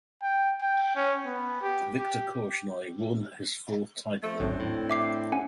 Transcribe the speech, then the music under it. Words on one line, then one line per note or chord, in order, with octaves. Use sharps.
Viktor Korchnoi won his fourth title.
G5
G5
C#4
B3
G4
G4
F3 A3
D1 G#1 F#2 C4 D4
A2
E5 D6 C7
C#4 F#5 G#5